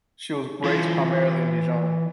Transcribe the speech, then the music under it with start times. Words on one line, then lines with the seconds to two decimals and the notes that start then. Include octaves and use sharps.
She was raised primarily in Dijon.
0.64 E3 F4